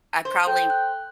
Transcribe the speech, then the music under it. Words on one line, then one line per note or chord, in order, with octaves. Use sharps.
I probably
C5
A4 G5
F#6